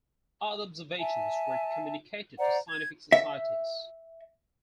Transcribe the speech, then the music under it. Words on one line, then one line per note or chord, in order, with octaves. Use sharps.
Other observations were communicated to scientific societies.
E5 G#5 A5
C5 D5 F#5 A#5
G#6
E5